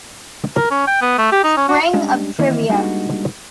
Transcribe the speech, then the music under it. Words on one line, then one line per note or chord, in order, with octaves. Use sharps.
Spring of Trivia.
A#4
C#4
G5
B3
A3
G4
D#4
C#4
F#4
G3 G#3 C#4 D4
D#3 E3 A#3 C4 E4 C#5
G3 G#3 A#3 D4 D#4 F#4